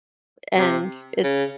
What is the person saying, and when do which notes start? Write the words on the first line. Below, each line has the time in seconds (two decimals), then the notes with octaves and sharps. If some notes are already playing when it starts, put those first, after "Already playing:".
and it's
0.57 C3
1.23 C#3